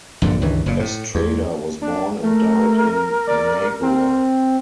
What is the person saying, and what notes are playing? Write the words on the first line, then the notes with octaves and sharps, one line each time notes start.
Estrada was born and died in Managua.
A#1 G2 A#2 D3
C#2 G2 D#3 E3
F#1 A#2
A2
E2
D4
A3 A#4
D5
C4